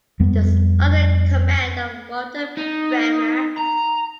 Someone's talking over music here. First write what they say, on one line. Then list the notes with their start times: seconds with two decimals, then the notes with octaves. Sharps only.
It was under the command of Walter Brehmer.
0.20 F2 G3 B3
2.57 D#4
3.58 A#5